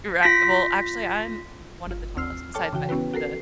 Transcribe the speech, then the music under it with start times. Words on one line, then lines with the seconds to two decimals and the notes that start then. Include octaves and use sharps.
Righ well, actually, I'm m one of the tallest besides my the
0.23 F4 A#6 B6
1.87 G1 F4
2.16 D#2 C4 E6 F6 C7
2.54 A4 C#5 G5 A5 D6 F6
2.73 C#3 E3 F#4 G5
2.89 B3 C#4 E4 F#4 B4
3.13 F#4 A4 A#4 C7